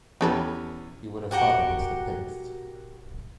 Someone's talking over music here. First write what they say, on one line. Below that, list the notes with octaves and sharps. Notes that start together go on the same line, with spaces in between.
He would have fought against the picts.
E2 C#4 G4 A4 B4
F#4 G4 A#4 F#5